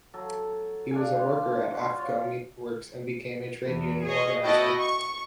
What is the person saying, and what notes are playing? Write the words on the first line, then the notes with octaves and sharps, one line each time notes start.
He was a worker at Affco Meatworks and became a trade union organiser.
F#3 A4
D4 F5 G#5
F4 G4
F#4 C6
F4 C#5
E2
G#4 C#5 D#5
B3 E4 F#4 D#5 G5 A5
C#6